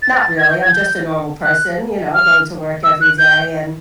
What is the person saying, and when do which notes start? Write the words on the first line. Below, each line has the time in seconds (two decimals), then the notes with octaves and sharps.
not really, I'm just a normal person, you know, going to work every day, and
0.02 A6
0.20 A6
0.38 G#6
0.50 G6
0.62 G#6
0.72 G6
1.43 F#6
2.14 F6
2.84 E6
3.01 F#6
3.18 G6